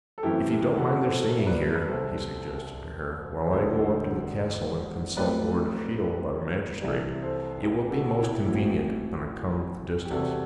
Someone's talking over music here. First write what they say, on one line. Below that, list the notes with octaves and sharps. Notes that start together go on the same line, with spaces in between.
"If you don't mind their staying here," he suggested to her, "while I go up to the castle and consult Lord Ashiel about a magistrate, it will be most convenient, on account of the distance."
A4
F#2 E3 A3 C4 E4 G4
E4 G4
F#4 A4
A4 C5
E5
B4 D5
A4
B4
C2 C3 G3 A4 C5
E1 D2 D3 G3 A4 C5
B1 A2 G3 C4 B4 D5
C2 C3 E3 B4 D5
A4 C5
G4 B4
F#4 A4
E4 G4
A1 A2 F#3 C4 E4 G4
G4
E2 C3 G3 C4 F#4 A4